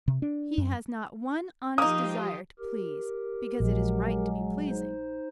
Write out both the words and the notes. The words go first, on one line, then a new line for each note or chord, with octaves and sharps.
He has not one honest desire to please because it is right to be pleasing.
C3
D4
F#2
F3 A#3 D#4 F4 G4 D#6
G4 A#4
A#1 F#3 G#3
D#4 C5